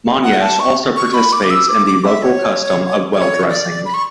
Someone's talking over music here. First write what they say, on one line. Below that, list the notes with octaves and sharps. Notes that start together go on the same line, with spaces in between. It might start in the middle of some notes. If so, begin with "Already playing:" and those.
Monyash also participates in the local custom of well dressing.
F#5
A5
C#6
C#6
B5
D6
E6
D6
D6
E5
C#5
C#5
E5
D5
B5
C#6